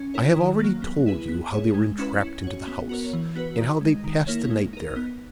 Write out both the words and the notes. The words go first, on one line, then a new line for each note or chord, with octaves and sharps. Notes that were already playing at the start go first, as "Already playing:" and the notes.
I have already told you how they were entrapped into the house, and how they passed the night there.
Already playing: C#4
E4 A#4 C#5
D#3
F#3 A#3
B3
E4 G#4 B4
B3
E4 G#4 C#5
G#3
C#4 E4 B4
C#4
F#4 C#5
B3
F#4 A#4 C#5
E3
B3 F#4 B4
D#3
G#3 D#4
D#3
A#3 E4 A#4 C#5
G#3
D#4 A#4
B3